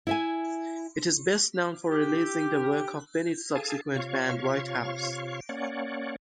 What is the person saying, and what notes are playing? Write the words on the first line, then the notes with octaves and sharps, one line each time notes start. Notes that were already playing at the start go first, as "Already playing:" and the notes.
It is best known for releasing the work of Bennett's subsequent band, Whitehouse.
E4 E5 G#5
G4
G#4 A4 F5 G#5 A5
C3 F4 C#5 F5 C#6
A#3 C#4 C#5 D5 F#5